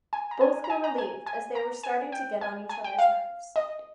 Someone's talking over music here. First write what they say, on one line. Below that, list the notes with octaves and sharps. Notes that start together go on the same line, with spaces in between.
Both were relieved, as they were starting to get on each other's nerves.
G#5
A#5
G#5
A#5
G#5
A#5
G#5
G#5
A#5
G#5
G5
G#5
G#5
G5
F5
D#5